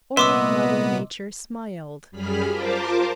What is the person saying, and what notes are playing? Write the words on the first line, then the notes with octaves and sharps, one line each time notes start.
Old Mother Nature smiled.
C2 A#2 B3 D#5 E5 C6 D6 E6
F#2 G3 G#4 B5 F6 B6
F4 A#4 C5 A5 D6